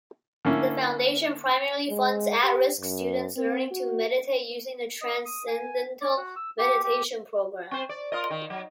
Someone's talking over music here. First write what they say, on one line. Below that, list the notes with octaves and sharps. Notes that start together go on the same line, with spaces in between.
The Foundation primarily funds at-risk students learning to meditate using the Transcendental Meditation program.
D3 A#3 C#4 E4
G#3
G4
F#2
C4
F#4
D#5
D#6
G#5
D5
F#4
E6
G4
G4
C4 C5
D5
F4 A#4 D#5
D#3
F#3